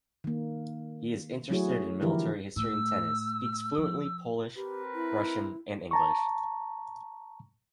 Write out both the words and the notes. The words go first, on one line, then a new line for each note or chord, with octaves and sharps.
He is interested in military history and tennis; speaks fluently Polish, Russian and English.
D#3 A#3
F#3 A3 E4 F#4 G#4 C#5
D3 E3 F3 E4 G4 A#4
A2 E6
F3
C4 G4 A#4 B4
E4
A5 A#5 C#6